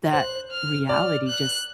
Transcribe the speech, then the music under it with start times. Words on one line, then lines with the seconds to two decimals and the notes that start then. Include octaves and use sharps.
that reality just
0.13 C5 F#6
0.51 F6
0.89 D5 F6
1.28 F#6